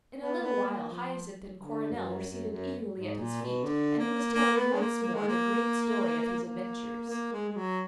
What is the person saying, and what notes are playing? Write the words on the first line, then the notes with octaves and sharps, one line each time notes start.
In a little while Hyacinth and Coronel were seated eagerly at his feet, and he was telling once more the great story of his adventures.
B3
A#3
B3
A#3
F3
D3
F#2
F#2
F#2
G#2
A#2
B2
D3
A#3
A#3
B3
G#3
A#3
A#3
G#3
A#3
A#3
A#3
G#3
G#3
F#3